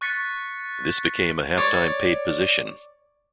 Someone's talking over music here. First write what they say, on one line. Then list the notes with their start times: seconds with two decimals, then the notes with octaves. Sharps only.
This became a half-time paid position.
0.01 C#6 F#6 A6 B6 C#7
1.57 C#5 D5